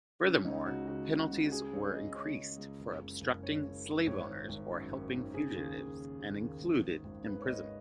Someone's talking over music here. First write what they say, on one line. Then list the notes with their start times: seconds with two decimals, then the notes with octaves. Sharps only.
Furthermore, penalties were increased for obstructing slave owners or helping fugitives, and included imprisonment.
0.24 C#3 C#4
0.45 C#2 D#4
0.66 C#2 F#4
0.88 C#3 F#4
1.09 C#3
1.19 F#4
1.31 C#2
1.46 F#4
1.51 C#3 G#4
1.73 C#2 C#5
1.93 C#2 D#5
2.15 C#3 C#5
2.36 C#3
2.58 C#2
2.79 F#1
3.00 C#3
3.21 F#1
3.42 F#2 C#5
3.64 F#1
3.85 C#3
4.07 G#1 C#5
4.28 D#3
4.49 G#1
4.71 F#2
4.92 G#1
5.13 D#3
5.34 C#3 G#4
5.56 D#2
5.66 G#4
5.77 D#2
5.98 C#3
6.19 C#3
6.40 D#2
6.62 G#1
6.83 D#3
7.04 G#1
7.25 G#2 B4
7.41 C#5
7.47 G#1 D#5